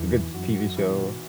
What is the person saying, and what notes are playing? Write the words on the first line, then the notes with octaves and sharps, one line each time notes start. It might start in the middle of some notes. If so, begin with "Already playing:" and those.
a good TV show,
Already playing: E2 E3 F#4
E3
F#2 F#4
F#4
F#2
E3
B2
F#4